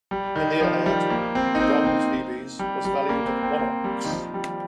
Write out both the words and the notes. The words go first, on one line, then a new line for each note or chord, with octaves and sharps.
In the Iliad, a bronze lebes was valued at one ox.
G3
D#3
F3
G3
A#3
C4
D#4
C4
C4
G3
G3
A#3
C4
C4
A#3
G3
D#3
F3
G3